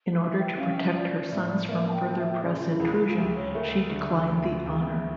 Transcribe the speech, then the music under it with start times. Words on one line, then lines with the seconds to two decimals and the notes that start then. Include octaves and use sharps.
In order to protect her sons from further press intrusion she declined the honour.
0.20 E4 E5
0.38 G5
0.58 C#4 F5
0.77 E5
0.95 F3 D5
1.32 A2
1.69 A#3 E5
1.88 A5
1.93 G5
2.06 F3
2.18 E5
2.43 C#3 D5
2.59 F4
2.67 E4
2.80 C#2
2.93 F4
3.01 E4
3.08 F4
3.17 D2 G4
3.35 C#5
3.54 A3 A#4
3.72 E5
3.91 D3
4.29 D2
4.66 C#2